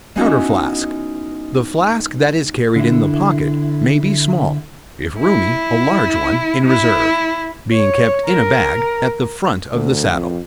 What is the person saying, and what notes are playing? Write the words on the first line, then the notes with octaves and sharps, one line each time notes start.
Powder-flask.--The flask that is carried in the pocket may be small, if roomy; a large one, in reserve, being kept in a bag, at the front of the saddle.
G#3 B3 C#4 D#4 E4 F#4
D3 E4
E4
E4
C#5
A#4
D2
F2